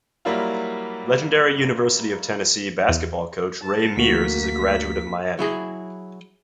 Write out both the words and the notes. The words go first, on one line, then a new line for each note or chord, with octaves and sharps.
Legendary University of Tennessee basketball coach Ray Mears is a graduate of Miami.
F#3 G3 A#3 E4 F4
E2
A5
D2 A#3 F#4 B6
F#3 E4 G#4